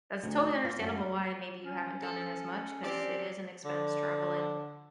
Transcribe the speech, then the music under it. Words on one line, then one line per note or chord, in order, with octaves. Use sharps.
that's totally understandable why maybe you haven't done it as much 'cause it is an expense traveling.
D2
F4
F#2
C#4
A4
C4 G4 D5
D3